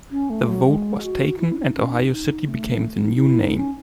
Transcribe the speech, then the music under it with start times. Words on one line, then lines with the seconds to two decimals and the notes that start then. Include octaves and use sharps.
The vote was taken and Ohio City became the new name.
0.11 C#4
0.30 A3
0.48 F#3
0.66 G#3
1.02 F#4
1.38 E4
1.58 D#4
1.75 C#4
1.94 D#4
2.12 D#4
2.48 A3
3.03 D#4
3.15 D#4
3.21 E4
3.39 D#4
3.57 C#4